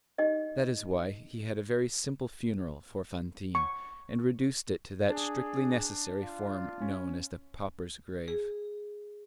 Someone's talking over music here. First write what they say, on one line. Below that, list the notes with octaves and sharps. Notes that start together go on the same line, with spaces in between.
That is why he had a very simple funeral for Fantine, and reduced it to that strictly necessary form known as the pauper's grave.
D#4 G4 D#5
C#6
D4 G#4
F4
C#4
G#4